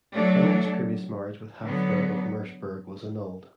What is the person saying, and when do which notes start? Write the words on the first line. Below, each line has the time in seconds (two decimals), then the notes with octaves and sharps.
Henry's previous marriage with Hatheburg of Merseburg was annulled.
0.15 F#3 A3 D4 A4
1.65 D3 F#3 B3